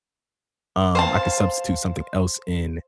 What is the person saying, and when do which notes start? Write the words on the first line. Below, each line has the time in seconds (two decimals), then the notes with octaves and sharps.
um I could substitute something else in."
0.95 C5 F5 A5